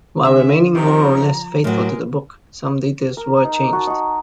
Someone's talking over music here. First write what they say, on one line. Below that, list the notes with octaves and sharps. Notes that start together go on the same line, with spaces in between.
While remaining more or less faithful to the book, some details were changed.
D3 G#3 E5
C3 D#3 F3 A#5
A2 F#3 G#3 A#4
A#4
D#4
F#4 D#5 A5
D#4 F#4